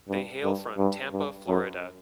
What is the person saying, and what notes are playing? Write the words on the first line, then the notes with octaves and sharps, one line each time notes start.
They hail from Tampa, Florida.
G2
G2
G2
G2
F#2